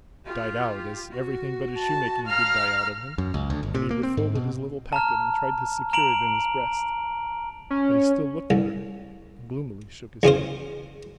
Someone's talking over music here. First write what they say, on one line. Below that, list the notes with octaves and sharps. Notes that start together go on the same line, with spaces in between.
It died out, as everything but his shoemaking did die out of him, and he refolded his little packet and tried to secure it in his breast; but he still looked at her, and gloomily shook his head.
F4 G4
F#4
A5
F5 A#5 F6
F#2
C#2
D2
G1
C3
A#3
C4
G#2
B2
A5 A#5 F6
A#5 D7 F7 F#7
C#4
C2
E2 C#3 F4 C5